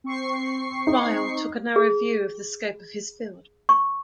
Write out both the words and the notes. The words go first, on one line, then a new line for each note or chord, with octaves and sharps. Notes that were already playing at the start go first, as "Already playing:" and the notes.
Ryle took a narrow view of the scope of his field.
C4 C#6 C7
D#4
G#4
C#6